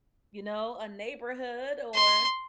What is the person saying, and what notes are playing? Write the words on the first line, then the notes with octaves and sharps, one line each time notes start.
you know, a neighborhood or
C6